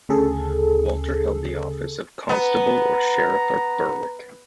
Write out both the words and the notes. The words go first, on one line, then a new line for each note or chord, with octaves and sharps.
Walter held the office of Constable or Sheriff of Berwick.
D2 C#3 G#4 A4
B3 A#5